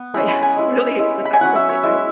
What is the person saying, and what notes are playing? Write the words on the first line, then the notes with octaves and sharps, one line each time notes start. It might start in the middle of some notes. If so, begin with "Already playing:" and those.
right, really aggressively, right?
Already playing: B3
G#3 C#4 E4 B5
B5
G#5
G#3 E4
G#3 E4
B5
G#5
F#3 C#4 E4 F#5
E5
C#5
G#3 E4 E5